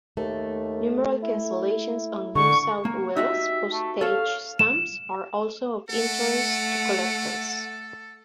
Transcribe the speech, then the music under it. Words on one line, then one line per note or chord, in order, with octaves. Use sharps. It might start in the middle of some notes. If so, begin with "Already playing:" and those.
Numeral cancellations on New South Wales postage stamps are also of interest to collectors.
D#2 A3
E4
D3 C#6
A#3
D#4 F#4 G4 E5
A3
A4 C#5 F5
E7
A3 A4 F#5